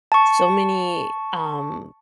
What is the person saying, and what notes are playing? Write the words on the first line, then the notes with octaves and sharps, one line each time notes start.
so many, um,
A5 C#6